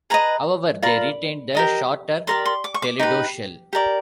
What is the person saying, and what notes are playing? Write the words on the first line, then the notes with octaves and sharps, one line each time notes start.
However, they retained the shorter Toledo shell.
G#4 B4 D#5 A#5
F4 A#4 D5 B5
G4 A#4 D#5
G4 A#4 D5 C6
C6
D6
C#6
D6
D#4 G4 B4
G4 A#4 D5